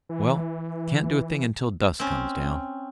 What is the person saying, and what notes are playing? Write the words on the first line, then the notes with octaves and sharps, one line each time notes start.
Well, can't do a thing until dusk comes down.
E3
C4 C#4